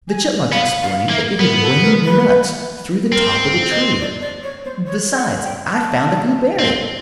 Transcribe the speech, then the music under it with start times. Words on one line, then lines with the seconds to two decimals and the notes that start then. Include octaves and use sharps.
The Chipmunk explained that it had rained nuts through the top of the tree--"Besides, I found a few buried!"
0.09 G#5
0.52 B3 F5
0.81 F5
1.10 A#3 E5
1.39 B3 A#4
1.60 A4
1.83 A#4
2.04 B4
3.12 C4 A#4
3.70 D#5
3.99 D5
4.21 D5
4.42 C#5
4.64 C5
4.86 C#5
5.15 F#5
5.44 G5
5.72 A5
6.59 C4